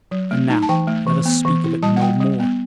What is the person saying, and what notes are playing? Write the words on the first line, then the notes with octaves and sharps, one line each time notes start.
And now let us speak of it no more.
F#3
A3
D#4
A5
E3 G5
A3
E3
B3
E3
E4
G3 A5
F#5
G3 G5
G3
B3